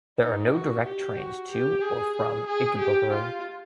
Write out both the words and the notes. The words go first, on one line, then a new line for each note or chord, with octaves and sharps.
There are no direct trains to or from Ikebukuro.
D#4
F#4
G4
F#4
G4
G#4
G#4
G4
F4